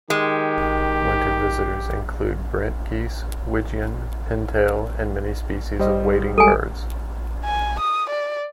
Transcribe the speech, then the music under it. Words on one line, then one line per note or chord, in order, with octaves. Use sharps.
Winter visitors include brent geese, wigeon, pintail and many species of wading birds.
D#3 G#3 G4
G3 C5 D#5
G3 G#3 A4 G#5
G#5
D#6
D5